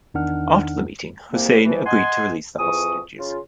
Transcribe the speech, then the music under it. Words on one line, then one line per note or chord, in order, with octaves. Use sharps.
After the meeting, Hussein agreed to release the hostages.
E2 D#3 D4 D#4 F#5 F6
C2 A#3
E3 F3
D#5 F#5 G#5 C6
F2 E3 G#4 C#6 D#6
C#3 F4